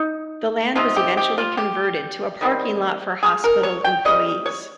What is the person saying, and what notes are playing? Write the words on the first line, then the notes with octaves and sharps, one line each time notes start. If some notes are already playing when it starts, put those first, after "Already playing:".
The land was eventually converted to a parking lot for hospital employees.
Already playing: D#4
C3 F3 C4 D#4 F4
G4
G4
F4
G4
D#3 G3 C4
G#4
A#4
C#5
G5
G3 C#4 D#5
C#5